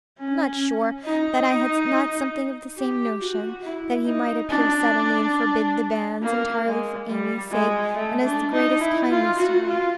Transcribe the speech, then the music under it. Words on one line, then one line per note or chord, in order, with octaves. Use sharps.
I am not sure that I had not something of the same notion,--that he might appear suddenly, and forbid the banns, entirely for Amy's sake, and as the greatest kindness to her.'
C#4
D#4
G4
F#4
E4
D#4
D4
A#3
G#3
G3
G#3
A3
D4
D#4
E4
F4
F#4
F4